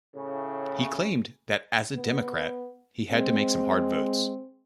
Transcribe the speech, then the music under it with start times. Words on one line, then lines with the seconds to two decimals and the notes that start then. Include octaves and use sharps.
He claimed that as a Democrat, he had to make some hard votes.
0.15 A2 C#3
1.96 B3
3.11 G#3 C4